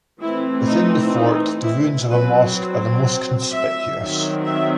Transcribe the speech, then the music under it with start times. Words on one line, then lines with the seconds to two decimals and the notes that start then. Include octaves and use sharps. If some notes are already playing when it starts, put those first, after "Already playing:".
Within the fort the ruins of a mosque are the most conspicuous.
0.21 E3 A3 C4 E4
0.68 D#4
1.16 D#4
1.63 E4
2.09 F#3 C4 B4
3.52 E5
3.99 D#3 F#3 C4
4.46 E5